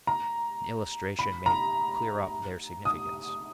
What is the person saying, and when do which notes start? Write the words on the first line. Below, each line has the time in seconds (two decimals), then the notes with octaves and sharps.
An illustration may clear up their significance.
0.07 A#5
1.19 B5
1.46 A#5
2.85 D#6